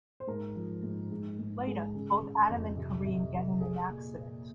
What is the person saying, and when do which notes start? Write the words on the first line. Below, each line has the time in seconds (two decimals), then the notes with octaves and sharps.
Later, both Adam and Kareem get in an accident.
0.20 C5
0.27 G#2 A#4
0.56 F3
0.83 G#2
1.11 G#2
1.39 G#2
1.67 G#3
1.95 C#3
2.22 C#3
2.50 F2
2.77 C3
3.06 C3
3.33 C3
3.60 G3 G#4
3.89 A#2
4.16 A#2